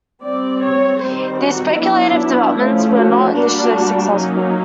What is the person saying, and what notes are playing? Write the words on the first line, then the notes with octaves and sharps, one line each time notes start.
These speculative developments were not initially successful.
G3 C4 D5
C#5
D#3 G3 C4 C5
F#4
F#3 B3 D4 E4
F3 A3 C#4
F#4
G3 A#3 D4 F#4
F#3 A#3 C#4 D#4